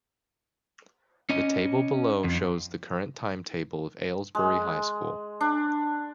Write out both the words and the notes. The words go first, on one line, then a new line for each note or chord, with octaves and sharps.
The table below shows the current timetable of Aylesbury High School.
C#4 D#5
F2
G#3
D4